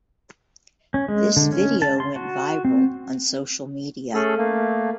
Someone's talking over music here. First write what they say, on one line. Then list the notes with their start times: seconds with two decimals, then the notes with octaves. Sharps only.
This video went viral on social media.
0.94 C#4
1.08 G#3
1.37 D3
1.52 C#4
1.82 A5
2.00 C6
2.16 F#4
2.65 C4
4.14 A3 C#4 G#4 A4
4.38 A3 A#3